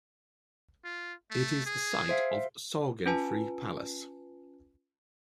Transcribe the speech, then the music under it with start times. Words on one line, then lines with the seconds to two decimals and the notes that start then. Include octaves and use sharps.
It is the site of Sorgenfri Palace.
0.84 F4
1.30 A3
1.66 G#4
2.09 C5 E5 F5
3.06 C#4 F4 B4 G#5 A5